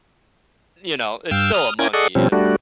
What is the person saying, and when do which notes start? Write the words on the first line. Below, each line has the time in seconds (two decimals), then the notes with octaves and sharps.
you know, it's still a monkey, and,
1.31 G2 F5 G5 E6
1.54 D#6 F6
1.79 C#4 E4 A#4 G5 G#5 G#6
1.93 G#4 A4 D5 D#5 F#5 C#6
2.15 B2 F3 G3 C4 C#4
2.32 G3 A3 D4 F#4